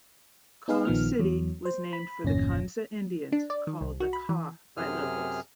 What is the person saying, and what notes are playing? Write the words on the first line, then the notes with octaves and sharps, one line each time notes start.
Kaw City was named for the Kanza Indians, called "the Kaw" by locals.
B3 D#4 G#4 B4 F5
A#1 D#3 F3 B3 F6
E2 F#3
C5
B5
G1 E2 A#2 C#4 A#6
D4
D5
D#3
C2
F#4
B5
E3
F#2 C3 G#4 F6